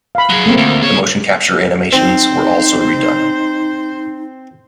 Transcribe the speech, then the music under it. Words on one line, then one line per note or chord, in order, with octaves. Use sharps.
The motion capture animations were also redone.
F5 B5
F#3 G#4
A3 A#3 C4
D2
G#4 C#5
C4 D#4 C5